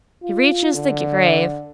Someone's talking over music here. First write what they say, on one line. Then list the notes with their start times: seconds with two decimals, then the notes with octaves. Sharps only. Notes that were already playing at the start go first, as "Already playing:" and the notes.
He reaches the grave.
0.23 F4
0.74 D3